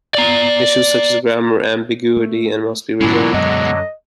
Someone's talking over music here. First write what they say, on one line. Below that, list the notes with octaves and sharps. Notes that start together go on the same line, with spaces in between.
Issues such as grammar ambiguity must be resolved.
D5 A#5
A3
G#2 B2 D3 F#3 G#3 C#4 E4
F#2 D#5